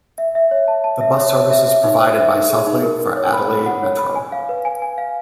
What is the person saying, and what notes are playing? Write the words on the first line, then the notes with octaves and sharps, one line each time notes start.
The bus service is provided by SouthLink for Adelaide Metro.
E5
E5
C#5
A5
A5
E5
C#5
C#5
E5
E5
D#4
C5
E5
D#4
G#4
D#4
A#4
A#4
C#5
B5
B5
F#5
C#5
B5
G#5
F5
B4
G#5
G#5
F5